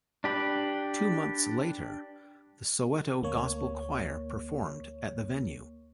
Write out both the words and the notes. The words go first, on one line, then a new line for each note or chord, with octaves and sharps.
Two months later, the Soweto Gospel Choir performed at the venue.
D4 G4 B4
D2 A#3 C#5